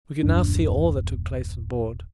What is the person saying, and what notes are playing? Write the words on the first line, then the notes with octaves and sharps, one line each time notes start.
We could now see all that took place on board.
D#1 F#2 D4